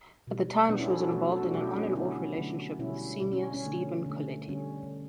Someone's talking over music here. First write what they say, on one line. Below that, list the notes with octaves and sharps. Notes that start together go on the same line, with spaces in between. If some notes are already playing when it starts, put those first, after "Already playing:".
At the time, she was involved in an on-and-off relationship with senior Stephen Colletti.
B2 G3
B2 G3 B3 D4
C#4 E4
F#4 A4
F#4 A4
B2 F#3 A3 F#4 A4
F#4 A4
D4 F#4
B2 F#3 A3 E4 G4
C#4
C#4
B3 D4
D3 F#3 A3 C#4 E4
D3 F#3 A3
B2 G3 C#4 E4
B2 G3
C#4
C#4
D3 A3
D3 A3
D3 G3 C#4